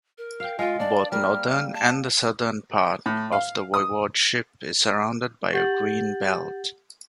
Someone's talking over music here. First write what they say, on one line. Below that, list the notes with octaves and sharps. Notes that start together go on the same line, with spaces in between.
Both northern and southern part of the voivodeship is surrounded by a green belt.
A#4
F5 G5
G#3 F4 F5
D4 D5
G3 A#3 F6
A5
A2
F5
D#6
G4 F#5 G6 A6 F#7